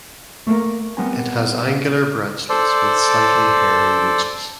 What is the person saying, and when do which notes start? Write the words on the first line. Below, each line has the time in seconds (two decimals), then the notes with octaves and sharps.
It has angular branchlets with slightly hairy ridges.
0.47 A3 A#3 A#4
0.97 G3 B3 C4 A#4 G#5
2.49 A4 C5 D5